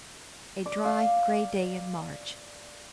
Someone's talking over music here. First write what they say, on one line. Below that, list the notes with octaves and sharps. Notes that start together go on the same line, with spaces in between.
A dry, grey day in March.
D5
F5